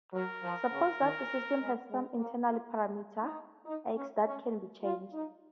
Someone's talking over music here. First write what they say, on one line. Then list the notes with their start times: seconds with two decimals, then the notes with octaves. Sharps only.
Suppose that the system has some external parameter, x, that can be changed.
0.13 F#3 A#4
0.43 F3
0.73 C#3
1.02 D#3
1.60 G#3
1.90 G#3
2.19 A#3
2.48 F4
3.23 D#4
3.66 D#4
3.96 C#4
4.25 C#4
4.83 F4
5.13 D#4